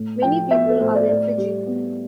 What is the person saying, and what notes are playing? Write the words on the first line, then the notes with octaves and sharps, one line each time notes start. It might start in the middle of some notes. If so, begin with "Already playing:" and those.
Many people are in Fiji.
Already playing: A2
F3 G5
B3 E5
A4
A2 C5
D5
A2 D5
G3
B3